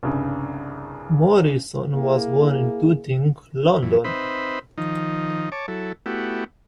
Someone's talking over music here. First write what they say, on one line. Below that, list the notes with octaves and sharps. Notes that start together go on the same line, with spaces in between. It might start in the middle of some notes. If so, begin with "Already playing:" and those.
Morrison was born in Tooting, London.
C2 G2 C#3
A#3 E4 G#4
F#2 E3
C4 D#4 B4 C5 E5 B5
D#3 F3 D#4
C#5 A5 D6
F#3 E4 A4
A3 B3 E4 F#4 G4